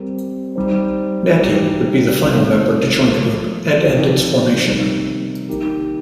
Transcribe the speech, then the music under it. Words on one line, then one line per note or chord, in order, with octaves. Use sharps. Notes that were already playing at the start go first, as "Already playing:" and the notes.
Natti would be the final member to join the group and end its formation.
Already playing: G3 C4 G4 A#4
G3 D#4 C5
G3 D#4 G4
C3 G3 D#4 A#4 F5
F3 A#3 F4 A#4
C3 F3 D#4 G4
C3 D#3 G3 D#4 A#4
D#3 A#3 D#4 G4 A#4